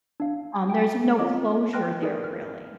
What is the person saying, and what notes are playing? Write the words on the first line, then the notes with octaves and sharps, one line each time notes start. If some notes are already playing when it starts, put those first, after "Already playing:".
um, there's no closure there, really.
D4 F5
G5 G#5
C4 F4 C#5 D#5 D6
B4 G5 C6 F6 F#6 A#6
D#4 G#4 A#4 B4 D5
F6